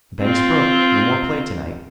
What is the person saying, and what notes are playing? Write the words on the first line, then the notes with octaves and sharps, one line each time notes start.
The bank's broke; no more play to-night.
C4 F4